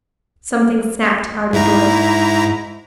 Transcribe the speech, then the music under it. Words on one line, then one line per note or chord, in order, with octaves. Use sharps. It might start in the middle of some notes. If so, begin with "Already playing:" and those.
Something snapped out of doors.
G#2 E4 A#5